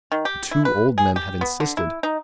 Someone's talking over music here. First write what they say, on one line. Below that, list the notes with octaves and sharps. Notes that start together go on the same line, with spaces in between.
The two old men had insisted.
D#3
G4
E4
B4
G#4
G4
B3
D3
E4
D#4